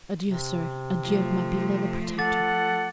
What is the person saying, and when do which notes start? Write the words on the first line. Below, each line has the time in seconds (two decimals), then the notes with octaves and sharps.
"Adieu, sir, adieu, my beloved protector."
0.24 C3
1.03 F3 A3
2.18 A4 F#5 D6 A6